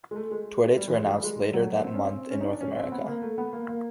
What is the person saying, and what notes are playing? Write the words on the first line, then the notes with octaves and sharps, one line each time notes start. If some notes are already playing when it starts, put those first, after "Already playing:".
Tour dates were announced later that month in North America.
G#3
A3
G#3
G3
E3
G#3
G3
A3
G#3
G3
F#3
A3
A#3
C4
C#4
C4
C#4
D#4
D4
C#4
C4
B3
A#3
A3
B3
A#3
A#3